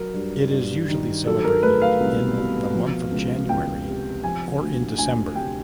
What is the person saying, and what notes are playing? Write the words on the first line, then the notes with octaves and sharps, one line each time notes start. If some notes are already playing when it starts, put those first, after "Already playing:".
It is usually celebrated in the month of January or in December.
Already playing: F#3 A#4
G2
G2
D#3
F#3 A4
A#4
A3 B4
F5
C2
B2
F3
C#2
C#2 G5
C3
F3 G#5
D2
D2 G#5
C3 G5